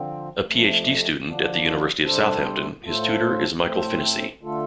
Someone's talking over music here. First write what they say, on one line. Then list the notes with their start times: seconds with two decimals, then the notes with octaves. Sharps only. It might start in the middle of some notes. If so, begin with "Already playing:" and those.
A Phd student at the University of Southampton, his tutor is Michael Finnissy.
Already playing: D3 F3 C4
0.44 F2 C3 A3
1.24 D3 F3 D4
2.03 C3 G3 D4 A4 C5
2.82 A2 A3 F4 A4 C5
3.62 A2 A3 C4 A4 C5
4.41 D3 A3 F4 A4